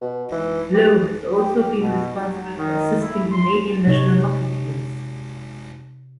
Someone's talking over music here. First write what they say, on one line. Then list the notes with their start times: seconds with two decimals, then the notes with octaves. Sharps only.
Lowe has also been responsible for assisting Canadian national hockey teams.
0.01 B2
0.32 E3
0.74 G4
1.35 G4
1.79 B2
2.20 F#3
2.57 D#3
3.01 E4
3.32 C6
3.87 C3 D#4 C#5